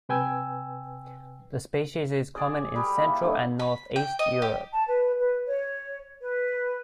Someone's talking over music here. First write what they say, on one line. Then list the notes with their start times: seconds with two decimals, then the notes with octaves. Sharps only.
The species is common in central and northeast Europe.
0.09 C3 B4 G5 G#5 E6
2.36 G#4 D5 G#5
2.75 G3 G#4 B4
2.96 A#3 E4
3.22 D3 D#3 A3
3.59 B5
3.96 G5
4.19 D#5
4.42 G4
4.73 A5
4.87 B4
5.19 B4
5.47 C#5
6.21 B4